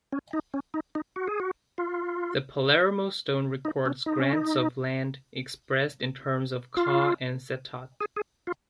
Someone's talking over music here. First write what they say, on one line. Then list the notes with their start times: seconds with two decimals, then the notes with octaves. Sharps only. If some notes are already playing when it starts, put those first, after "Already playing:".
The Palermo stone records grants of land expressed in terms of "kha" and "setat".
0.12 C#4
0.33 D#4
0.54 C#4
0.74 D#4
0.95 D#4
1.16 F#4
1.28 G#4
1.40 F#4
1.78 F4
3.65 D#4
3.86 C#4
4.06 D#4
4.20 C#4
4.33 D#4
6.77 F4
8.01 G#4
8.16 G#4
8.47 F4